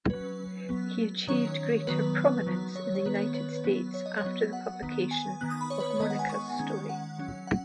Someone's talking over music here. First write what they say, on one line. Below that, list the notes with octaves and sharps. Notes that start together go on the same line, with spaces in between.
He achieved greater prominence in the United States after the publication of "Monica's Story".
F#3 C#4 B4
F#3 B3
D#3 F#3 C#4 C#5
D#3 F#3 B3 B4
D#3 F#3 B3
C#5
C#5
D#3 B3 B4
C#5
B4
F#3 B3
C#5
D#5
C#5
F#3 B3
F#5
D#3 B3
G#5
D#3 B3 F#6
D#6
B5
C#5
B4
C#5
D#3 G#3 B3 D#5
F#5
G#5
C#6
D#3 G#3 C#4
F#5
F#3 C#4
F#5